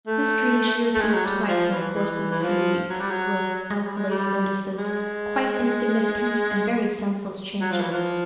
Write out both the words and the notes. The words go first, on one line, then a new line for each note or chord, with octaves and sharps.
This dream she repeats twice in the course of a few weeks, with--as the lady notices--quite insignificant and very senseless changes.
A3
A3
G#3
F#3
G3
F3
E3
E3
E3
F3
F#3
G3
F#3
G3
G#3
G3
G#3
F#3
F3
E3
F3